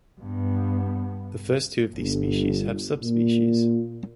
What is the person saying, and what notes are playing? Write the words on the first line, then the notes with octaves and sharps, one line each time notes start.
The first two of these species have subspecies.
G2 B3
G1
A#2